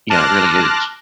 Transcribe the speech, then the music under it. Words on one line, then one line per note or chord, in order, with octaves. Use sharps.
Yeah, it really is.
A5 C6 D6 F6 F#6 A#6